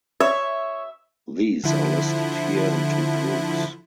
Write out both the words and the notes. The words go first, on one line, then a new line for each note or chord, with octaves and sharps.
These are listed here in two groups.
C#5 E5
D3 F3 E4